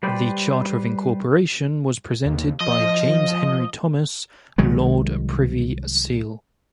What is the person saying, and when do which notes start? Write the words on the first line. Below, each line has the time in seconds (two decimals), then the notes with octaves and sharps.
The charter of incorporation was presented by James Henry Thomas, Lord Privy Seal.
0.03 G3 B4 C5 D5 G5
2.25 D#2
2.61 F3 D#5
4.58 C2 D#3 F#3 G#3